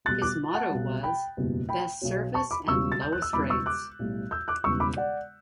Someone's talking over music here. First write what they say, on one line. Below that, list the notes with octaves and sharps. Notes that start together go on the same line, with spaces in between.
His motto was "best service and lowest rates".
B1 B2 G3 F#6 A6
D6 F#6
F#5 A5
B1 B2 G3
G5 B5
F#1 E2 B2 G3
G5 B5
B1 B2 F#3
A5 C#6
B5 D6
E1 E2 C#3 G3 C#6 E6
A6
G6
F#6
E6
E1 E2 C#3 G3 B5 D6
C#6 E6
D6 F#6
B1 A2 G3
E6 G6
D6 F#6
E1 E2 C#3 G3 C#6 E6
B5 D6
D5 F#5